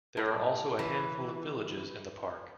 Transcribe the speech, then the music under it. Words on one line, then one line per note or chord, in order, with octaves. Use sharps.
There are also a handful of villages in the park.
A2
E3